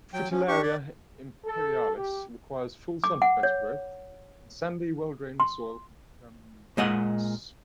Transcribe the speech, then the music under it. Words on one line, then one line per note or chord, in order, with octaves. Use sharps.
"Fritillaria imperialis" requires full sun for best growth, and sandy, well-drained soil for permanence.
F#3 G5
F3 C#4
D4 G4 C#6
D5
A4
G4
D6
F#5
C#5
C6
A#2 G#3 D#5 F#5